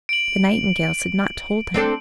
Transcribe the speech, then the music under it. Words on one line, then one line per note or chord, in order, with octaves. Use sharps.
The nightingales had not told him.
D7 F#7
C4 D4 A4